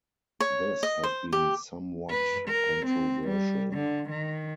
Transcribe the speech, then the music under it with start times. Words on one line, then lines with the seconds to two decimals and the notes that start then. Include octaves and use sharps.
This has been somewhat controversial.
0.40 C#5
0.83 D#5
1.03 C5
1.33 G4
2.10 B4
2.48 A#4
2.86 C4
3.28 G3
3.73 D3
4.09 D#3